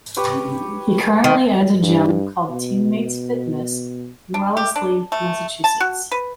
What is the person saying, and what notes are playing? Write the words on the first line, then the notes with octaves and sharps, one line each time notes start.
He currently owns a gym called Teammates Fitness in Wellesley, Massachusetts.
G4 B4 C#5
D#3
G2
B2
D4
G4
D4
A3
A5
F#4
B4